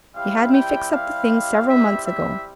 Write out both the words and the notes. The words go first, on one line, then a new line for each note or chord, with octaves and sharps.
She had me fix up the things several months ago.
G3 C4 E4 G4 F5
G5
F5
E5
E5